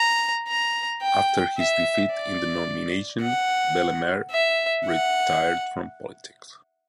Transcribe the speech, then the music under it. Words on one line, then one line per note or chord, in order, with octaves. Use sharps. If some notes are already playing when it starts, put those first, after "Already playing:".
After his defeat in the nomination, Bellemare retired from politics.
Already playing: A#5
A#5
G5
E5
D5
F#5
E5
F#5